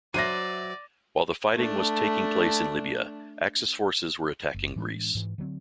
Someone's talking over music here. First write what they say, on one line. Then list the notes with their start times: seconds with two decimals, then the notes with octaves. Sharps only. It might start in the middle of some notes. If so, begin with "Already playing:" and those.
While the fighting was taking place in Libya, Axis forces were attacking Greece.
0.14 F#3 C5 D5 E5 A#6 D#7
1.55 A3 D4
4.54 F#1
4.76 A2 E3 G#3 D4
5.15 G#2 E3
5.38 D3 F#3 A3 C4